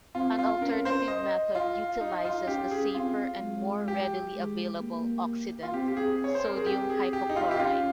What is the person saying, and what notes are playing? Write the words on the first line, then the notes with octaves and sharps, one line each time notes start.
An alternative method utilizes the safer and more readily available oxidant sodium hypochlorite.
C4 F4
F4
C#4 A#4
C5
D#5
F4
D#4
F4
C#4 G4
G#4
C4 F4
G#3
G4
G#3
A#3
F4
C4 G4
G4
G#4
C#5
C5
A#4
G#4
C4 G4
G#4
G4
D#4
F4
G4
C#4 F4